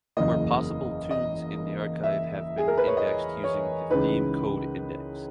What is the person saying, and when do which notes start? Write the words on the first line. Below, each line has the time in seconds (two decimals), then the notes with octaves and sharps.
Where possible tunes in the archive have been indexed using the Theme Code Index.
0.17 F#1 E2 C#3 E3 A#3 D#5
1.11 D#5
2.04 E5
2.58 G#4
2.68 A#4
2.78 B4
2.87 C#5
2.97 D#5
3.44 C#5
3.90 C#2 C#3 E3 G#3 D#4 B4